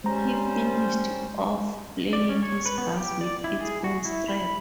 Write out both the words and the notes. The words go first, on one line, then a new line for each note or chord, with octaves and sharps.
He finished off playing his bass with its own strap.
G3 G#3 C#4 C5 A#5
D5
C#4
C#5
B4
B3
G4
D5
E4
G#4
F#4
E4
B5